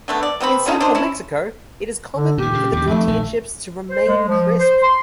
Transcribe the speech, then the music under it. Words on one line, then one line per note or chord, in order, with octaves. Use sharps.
In central Mexico it is common for the tortilla chips to remain crisp.
D3 A3 B3
D5
C3 B3 C4 B5
D3 A3 C#4 D#4
D4 D#4 C5
C#4 E4
D3
A#2 D#3 G4
A#2 C#3
D#2 C#3
F2 D#3 A3
A#1 D#3
C5
G#3
F3
C5
C6